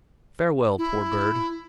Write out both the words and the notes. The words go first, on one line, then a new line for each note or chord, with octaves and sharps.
Farewell, poor bird!
E4